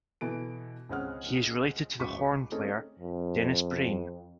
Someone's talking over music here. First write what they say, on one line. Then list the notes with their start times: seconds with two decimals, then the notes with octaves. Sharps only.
He is related to the horn player Dennis Brain.
0.21 B2 E3 A4 D7
0.89 C#2 C4 C#4 G#4 F#5 F6
1.99 C#2 F#4 C#6 D6 B6
2.52 A3 C4 C#4 D#4 G#4 A4
3.00 F2